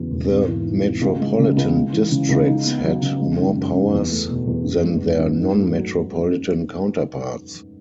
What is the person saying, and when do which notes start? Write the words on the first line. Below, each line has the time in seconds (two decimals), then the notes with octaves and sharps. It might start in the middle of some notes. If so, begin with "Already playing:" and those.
The metropolitan districts had more powers than their non-metropolitan counterparts.
Already playing: E2 C#3 F#3
0.12 E1
0.30 G#1
0.47 E3
0.65 G#2
0.83 G#1
1.02 C#2
1.20 G#3
1.39 C#3
1.57 C#2
1.75 G#3
1.93 E3
2.11 C#3
2.29 C#2
2.47 D#4
2.65 B3
2.83 F#3
3.02 C#3
3.20 G#3
3.38 D#3
3.57 F#2
3.74 F#1
3.93 E2
4.11 A3
4.29 B2
4.47 E2
4.64 F#2
4.83 G#3
5.01 D#3
5.19 F#2
5.38 G#2
5.55 A3
5.74 F#3